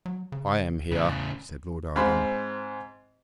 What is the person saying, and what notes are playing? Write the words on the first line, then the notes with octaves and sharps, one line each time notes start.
"I am here," said Lord Arden.
F#3
C#3
E2 A2 C#3
G#2 C4 F5 B5 C6